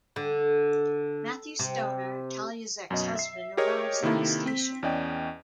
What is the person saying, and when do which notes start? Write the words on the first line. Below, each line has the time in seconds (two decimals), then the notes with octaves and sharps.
Matthew Stoner, Talia's ex-husband, arrives on the station.
0.16 D3
1.59 C3
2.91 F#2 B2 D#5
3.15 E5 C7
3.57 G4 G#4 A#4 C#5 D#5
4.02 C3 D#3 A#3 E4 A4
4.46 C4 B6
4.83 E2 C#4 D5 D#5 G5